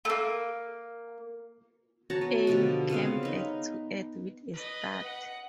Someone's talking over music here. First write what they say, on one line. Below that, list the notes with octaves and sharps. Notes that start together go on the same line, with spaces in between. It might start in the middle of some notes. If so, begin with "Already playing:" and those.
Anne came back to earth with a start.
A3 A#3
F#4 C#5 A5 A#5
B3
B2 D3 F3 G4
C#3 B3 C4 F5
D#4 B4
B4 D#5
F#5